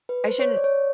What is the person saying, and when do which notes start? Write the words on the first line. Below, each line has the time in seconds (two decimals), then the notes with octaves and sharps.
I shouldn't
0.09 B4
0.24 C5
0.40 C#5
0.56 D5
0.64 C#5